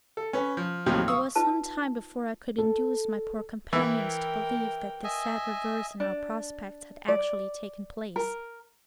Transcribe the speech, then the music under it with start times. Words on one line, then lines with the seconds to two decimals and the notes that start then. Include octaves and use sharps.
It was some time before I could induce my poor companions to believe that this sad reverse in our prospects had actually taken place.
0.17 A4
0.33 C#4 B4
0.57 F3
0.86 D#2 A2 C3 F3 F#3
1.08 F5 C#6 D#6 E6
1.36 D#4 F4 B4 A5
2.58 A4
3.73 E3 E4 A#4 G5
5.04 D#5 E5 G#5
6.00 D4
7.08 D5
8.16 A#4